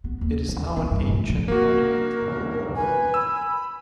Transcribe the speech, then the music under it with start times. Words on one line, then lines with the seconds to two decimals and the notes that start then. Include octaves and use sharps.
It is now an ancient monument.
0.04 B3
0.21 D#2
0.48 C#4
0.77 B3
0.91 G2
1.08 A2
1.29 F3
1.48 A#3 F#4 A#4
2.74 B4 G#5
3.14 B5 E6